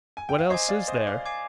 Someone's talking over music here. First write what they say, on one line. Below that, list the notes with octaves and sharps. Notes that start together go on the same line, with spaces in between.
"What else is there?"
G#5
G5
F5
C5 D#5 G#5 D6 G#6 C7
D5 F5
C5 D#5
D5 F5
G#5 D6 G#6 C7